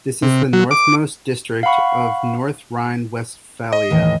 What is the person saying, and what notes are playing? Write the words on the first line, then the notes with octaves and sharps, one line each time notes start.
This is the northernmost district of North Rhine-Westphalia.
C3
F#3
D6
F5 F#5 B5 C#6
D#5
D#2 A2 E3